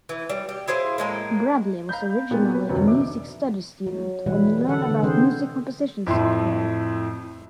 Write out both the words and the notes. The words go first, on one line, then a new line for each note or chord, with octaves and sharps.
Bradley was originally a music studies student when he learned about music composition software.
E3
G3
G4
E4 G#4 C5 F5
A2 G#3 A#3
F5 A#5 B5 G6
A#2 B3 G4 G#4
B4
F1 D2 C3 F#3 C#5
G#1 B2 D4 E5 D6
F#3
B2 E3 G3 G#3 E4 F#5
D3 A4 F#5
D3 B3
C3 E3 C4 G#4 C5
F2 A2 A3 C6